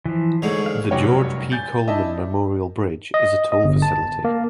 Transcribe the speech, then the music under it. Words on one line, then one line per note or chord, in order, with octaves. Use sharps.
The George P. Coleman Memorial Bridge is a toll facility.
E3 F3
G#2 D3 C#5
F5 F6
F1 F#2 F#3 G3 C#5 G5
G#5 G6 A6
D4 E4 D#5 E5 A5
D#5
D#5
G1
A5
A#3